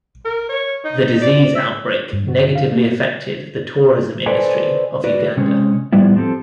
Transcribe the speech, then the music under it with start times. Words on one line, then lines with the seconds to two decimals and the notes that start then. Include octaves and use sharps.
The disease outbreak negatively affected the tourism industry of Uganda.
0.25 A#4
0.49 C#5
0.84 D#4
1.22 D5
1.55 E5
2.13 G2
2.28 F#4
2.55 F5
2.72 A#3
4.26 A4 B4 C5 D5 D#5 G#5
5.04 F#4 B4 D5
5.37 C3 G#3 C#4
5.93 A2 F3 G3 B3 E4
6.16 F3 C4 G4 A4